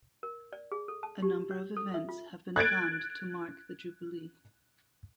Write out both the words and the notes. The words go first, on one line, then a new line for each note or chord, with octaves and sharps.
A number of events have been planned to mark the Jubilee.
A#4
D5
G#4
A4
A5
G4
C#5
A4
E5
F4
F#6 G#6 A6 D7